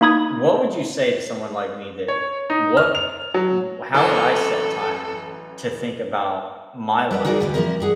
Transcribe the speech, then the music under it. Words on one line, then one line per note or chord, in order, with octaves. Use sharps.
What would you say to someone like me that what eh how would I set time to think about my life,
A#3 D#4 B5 D#6 G#6
C#5
D#4
F6
F7
F#3
A1 E3 F#3 A4 D6
G3 A#4 B4
D#4 F#4 G#4 A#4 B4 D5
D2 G#2 G3 G4 B4
F3 G3 C4 D#4 E4 A#4
G2 G#4 F#5